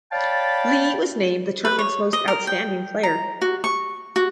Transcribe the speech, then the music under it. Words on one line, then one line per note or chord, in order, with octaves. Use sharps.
Lee was named the tournament's most outstanding player.
C#5 D5 F5 G5 A5 B5
B4
C#5
D#5
A#4
G5
A#5
F#4
C#6
F#4